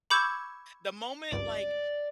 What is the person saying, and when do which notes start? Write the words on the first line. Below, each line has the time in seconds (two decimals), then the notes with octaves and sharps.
The moment like,
0.10 B5 C#6 D6 E6 G6 G#6
1.32 G#1 C#2 G2 D5